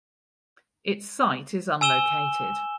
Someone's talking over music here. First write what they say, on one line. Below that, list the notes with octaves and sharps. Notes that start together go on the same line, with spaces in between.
Its site is unlocated.
G#5 E6 E7 G7